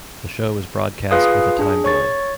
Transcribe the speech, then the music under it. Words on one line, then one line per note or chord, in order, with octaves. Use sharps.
The show is broadcast with a time-delay.
F4 G#4 B4 F5 D#6
D4 G#4
C#5 C#6 A6